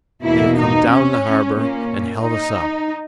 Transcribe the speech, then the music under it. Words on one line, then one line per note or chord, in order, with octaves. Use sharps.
They'd have come down the harbour and held us up.
E2 B2 A#3 E4
D#4
C#4
A#2 A#3 C#4
D#4